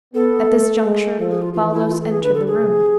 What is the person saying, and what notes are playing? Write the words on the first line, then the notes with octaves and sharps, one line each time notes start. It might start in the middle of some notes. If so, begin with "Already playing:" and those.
At this juncture Baldos entered the room.
B3 A4
A3
G#3
F3 A4
G#4
F4
E3 F4
E4
F4
A4
G#4
D3 B4
A4
G#4
C3